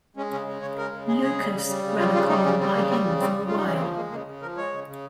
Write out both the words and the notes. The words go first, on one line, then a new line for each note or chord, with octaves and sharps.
"Locus" ran a column by him for a while.
G#3 C#4
C#3 C#4
G#3
C#3 C#5
G#3 A#4
C#3
G#3 G#4
C#3 G#4
G3
C#3
G3
C#3
G3 F4
C#3 F4
G3 D#4
C#3 C#4
G3 C4
C#3 A#3
G3 C4
C#3
G3 C4
C#3
G3 F4
D#4
C#3 C#4
C4
F3 A#3
G#3 A#3
C#3 A#3
C#3
F3 A#4
G#3 C#5
C#3
C#3